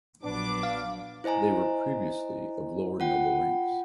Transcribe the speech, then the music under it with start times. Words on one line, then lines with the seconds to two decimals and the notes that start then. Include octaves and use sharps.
They were previously of lower noble ranks.
0.23 A#1 F#3 B3 D4 D6
0.63 F5
1.24 E4 C5 D#5 G#5 A#5
3.00 F4 F#5 G5